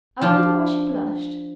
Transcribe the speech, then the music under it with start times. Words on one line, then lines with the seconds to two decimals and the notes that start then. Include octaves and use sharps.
I wonder why she blushed.
0.21 F3 D4 F4